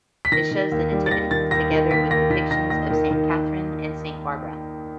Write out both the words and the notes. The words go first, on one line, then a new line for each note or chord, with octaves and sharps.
It shows the Nativity, together with depictions of Saint Catherine and Saint Barbara.
B6
D#3 A#6
D#3
D#2
G3
A6
D#2 A#6
D#3 A6
D#2 A#6
D#3
D#2 B6
D#2 A#6
D#3 B6
D#3 A#6
D#2 A#6
D#3
D#3